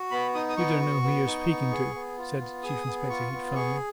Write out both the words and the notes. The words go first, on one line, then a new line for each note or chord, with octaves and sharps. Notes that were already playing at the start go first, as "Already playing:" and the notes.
"You don't know who you're speaking to," said Chief Inspector Heat firmly.
Already playing: F#4
B3 B5
D#4 D#6
D#6
B3 C#6
F#4
B3
D#4
B3
G#4
B3
F4
B3
G#4 D#6
B3
F4 C#6
B3
G#4 C#6